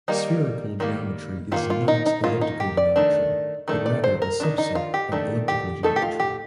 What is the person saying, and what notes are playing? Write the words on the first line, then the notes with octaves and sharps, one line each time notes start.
Spherical geometry is "not" elliptic geometry, but is rather a "subset" of elliptic geometry.
D#3 G3 A#3 D#4
D#3 G3 A#3
D#3 G3 A#3 F4
F4
D#4
D#4
D#3 G3 A#3 F4
D#4
G4
D5
D#3 A3 D4
D#3 A3 D4
D5
C5
A#4
D#3 A3 D4
D#4
F4
G4
D#3 A3 D4
G4
A3 D#4 A4
G4
F4
G4